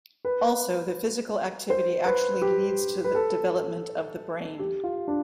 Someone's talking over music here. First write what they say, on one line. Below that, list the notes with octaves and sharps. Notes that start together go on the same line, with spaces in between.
Also, the physical activity actually leads to the development of the brain.
B4
C5
B4
G4
B4
A4
G4
F4
D4